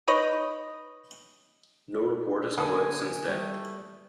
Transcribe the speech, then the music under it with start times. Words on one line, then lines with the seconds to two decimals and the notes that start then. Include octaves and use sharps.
No report has come out since then.
0.07 D#4 B4 C#5 D#5
2.58 D3 A#3 B3 A4 G#5 D#6
3.28 G3 A3 G5